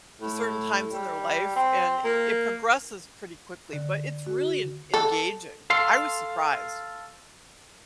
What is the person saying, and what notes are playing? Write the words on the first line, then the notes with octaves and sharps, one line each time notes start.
to certain times in their life, and it progresses pretty quickly, but it's really en engaging. I was surprised.
A2
G3
C4
A#3
D3
F#4
A4
A4 F5 C6